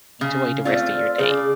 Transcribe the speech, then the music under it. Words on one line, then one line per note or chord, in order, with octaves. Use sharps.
enjoy the rest of your day.
C#3
A3 C4 F4 D5
C#3 G#4 D5